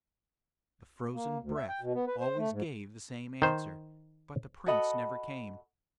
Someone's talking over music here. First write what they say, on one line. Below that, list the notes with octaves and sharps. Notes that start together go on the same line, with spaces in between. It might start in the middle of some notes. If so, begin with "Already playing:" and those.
The frozen breath always gave the same answer, but the Prince never came.
A#3
D2
E5
G5
B2
B3
B4
C5
A3
G#2
D#3 C5
F#4 A4 D#5 B5